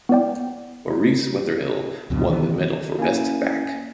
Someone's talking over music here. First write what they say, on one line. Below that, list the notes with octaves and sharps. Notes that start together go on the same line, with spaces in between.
Maurice Wetherill won the medal for best back.
B3 E4 D5 G5
C#2 F#2 B2 D3
D#3 E3 A3 B3
A#3 C#4 E4 G#5